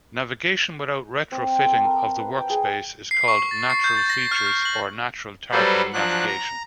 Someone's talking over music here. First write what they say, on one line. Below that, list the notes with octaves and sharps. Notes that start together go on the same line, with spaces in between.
Navigation without retrofitting of the workspace is called Natural Features or Natural Targeting Navigation.
C4
A4
A#4
B4
G5
G#4
C7
C#6
A6
C7
G6
A6
A#6
F6
F6
F#7
F#3 G3 A4 B4 C5
F3 F#3 D4 F#6
A#5